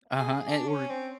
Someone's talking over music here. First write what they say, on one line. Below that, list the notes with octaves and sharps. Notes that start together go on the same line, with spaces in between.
Uh-huh, and or
G#4
D4
C#4
C4